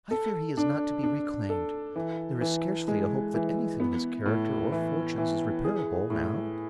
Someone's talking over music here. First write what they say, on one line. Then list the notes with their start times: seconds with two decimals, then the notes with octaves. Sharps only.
I fear he is not to be reclaimed; there is scarcely a hope that anything in his character or fortunes is reparable now.
0.11 A4
0.57 D4
1.03 D4
1.49 A4
1.96 E3
2.41 E3
2.88 G#3
3.34 E3
3.80 B3
4.26 A2
4.72 E3
5.18 E3
5.64 G#4
6.10 A2